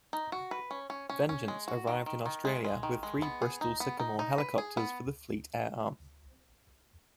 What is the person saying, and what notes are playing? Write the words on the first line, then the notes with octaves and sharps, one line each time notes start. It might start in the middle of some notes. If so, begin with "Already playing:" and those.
"Vengeance" arrived in Australia with three Bristol Sycamore helicopters for the Fleet Air Arm.
D#4
F#4
B4
C#4
C#4
C#4
C#4
G#3
F#4
D#3
D#3
D#3
G#3
G#3
D#3
G#3
B3
G#4
D#4
B3
D#4
D#4
B4
G#4
B3